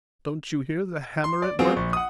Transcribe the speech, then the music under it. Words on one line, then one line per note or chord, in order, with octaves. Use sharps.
Don't you hear the hammer at work?
C6
D5
F#3 B3 C4 F4 F#4 G#4
A#1 C#6
F#5 D#6